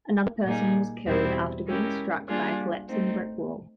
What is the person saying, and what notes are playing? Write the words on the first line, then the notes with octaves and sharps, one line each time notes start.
Another person was killed after being struck by a collapsing brick wall.
A#2 G3 A#3 D#4 G#4
E2 B2 G3 C4 E4
G#3 C#4 E4 G4 A#4
G3 A#3 D4 F4 G#4
A3 C4 D#4